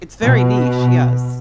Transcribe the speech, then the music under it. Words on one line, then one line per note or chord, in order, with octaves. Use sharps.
It's very niche, yes.
B2